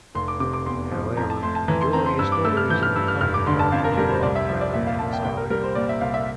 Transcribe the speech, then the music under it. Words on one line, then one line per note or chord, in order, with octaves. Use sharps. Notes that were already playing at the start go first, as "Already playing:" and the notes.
However, the majority of stories in the comic are standalone rather than episodic.
F1 C6
D6
C3 D6
D6
E2 C6
F3
F2 A#5
A5
A3 C6
A5
E3 A#5
C6
C4 A#5
C6
G2 E6
D6
A3 E6
F6
E3 G6
F6
G2 E6
F6
F1 F6
D6
D3 C6
A5
F2 F5
A#4
G3 A#4
C5
C2 D5
E5
F3 E5
D5
A#2 E5
F5
A#3 A5
G5
C2 G5
A#4
G3 A#4
C5
A#2 D5
E5
C2 F5
E5